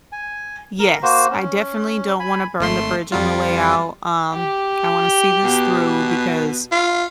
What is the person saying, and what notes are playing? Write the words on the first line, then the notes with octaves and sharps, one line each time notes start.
Yes, I definitely don't wanna burn the bridge on the way out, um, I wanna see this through, because
G#5
A#4
A#3 F#4 C5
C#4
G#5 B5
G#1 A3 C6
F2 G3 F4
G4
B2
F4